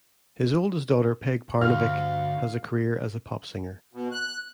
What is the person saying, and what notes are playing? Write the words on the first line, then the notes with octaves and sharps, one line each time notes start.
His oldest daughter Peg Parnevik has a career as a pop singer.
D2 G2 F5 F6
B2
F#6